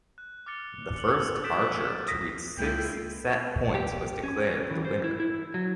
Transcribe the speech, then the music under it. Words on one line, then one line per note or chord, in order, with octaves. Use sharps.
The first archer to reach six set points was declared the winner.
F#6
D6 F6 A6 C#7 G7
C#7 F#7
F#6 G6 A6 B6 D7 E7
C#6
D#6 A#6 B6
C#2 A#3 E4 F4 G5
G4
C#4
E3
C5
E4
E4
F#3